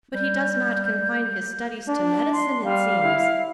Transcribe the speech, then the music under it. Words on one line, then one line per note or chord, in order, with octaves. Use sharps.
But he does not confine his studies to medicine, it seems.
G3 G6
D4
C6
G3 F5
E4